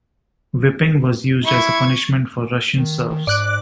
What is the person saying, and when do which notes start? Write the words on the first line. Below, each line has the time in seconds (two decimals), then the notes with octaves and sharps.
Whipping was used as a punishment for Russian serfs.
1.45 E4 C#6 G#6
2.78 D#3
3.11 D#3
3.27 G#2 D5 F#6